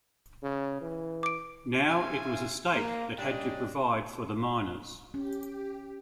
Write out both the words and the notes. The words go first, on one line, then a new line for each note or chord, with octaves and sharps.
Now it was the state that had to provide for the minors.
C#3
E3
D6 D7
C#3 E4 C5 E5 F5 G#5
A#3
G3 C#4 D4 G4 D#5
C#4 G4